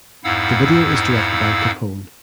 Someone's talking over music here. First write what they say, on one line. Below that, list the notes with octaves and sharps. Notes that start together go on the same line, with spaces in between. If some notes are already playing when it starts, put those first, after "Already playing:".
The video is directed by Capone.
F2 G#2 E4 F5 F#5 E6